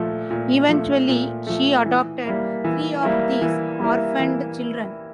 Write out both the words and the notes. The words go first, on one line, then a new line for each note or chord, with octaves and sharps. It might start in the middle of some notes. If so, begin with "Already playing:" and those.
Eventually, she adopted three of these orphaned children.
Already playing: A#2 F3 A3
A#2
F3 A3
A#2
F3 A3
E3
G3 A#3 E4
E3
G3 A#3 E4
E3
G3 A#3 E4
E3